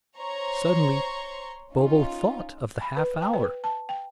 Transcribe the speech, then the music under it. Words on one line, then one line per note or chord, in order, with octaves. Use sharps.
Suddenly Bobo thought of the half-hour.
C5 C#5 A#5 C6 C#6
C#4 D#4 F4
B5
B4
G5
B4
A5
G5